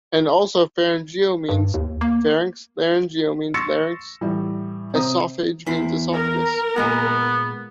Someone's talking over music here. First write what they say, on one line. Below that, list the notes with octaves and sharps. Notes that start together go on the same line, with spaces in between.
And also "pharyngo" means pharynx, "laryngo" means larynx, "esophag" means esophagus.
G2
D#2
A#3
C6 C#6 E6 A6 A#6 C#7
A2 E3 G3
C3 C4 A#5 D#6
E2 E4 C5
A#4
A#2 G#3 B3 F#5